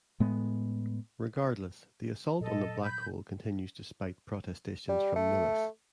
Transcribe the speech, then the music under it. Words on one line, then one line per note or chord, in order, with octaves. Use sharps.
Regardless, the assault on the black hole continues despite protestations from Nilis.
A2 G#3 B3
A#2 F#3 A4 D#5
B5 G6
G3
A3